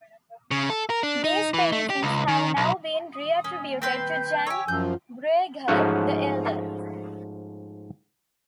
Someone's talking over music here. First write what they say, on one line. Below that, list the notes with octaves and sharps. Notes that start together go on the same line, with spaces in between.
These paintings have now been reattributed to Jan Brueghel the Elder.
C#3
A4
A#4
D4
D#4
E3
A3
G4
C#2
D#3
B1
D#6
C#4
C4 B4 G5 C6 G6
G4 C#5 G#5 E6
F#2 F3 G6
F4
G#2 F3 A3 C#4 F#4 B4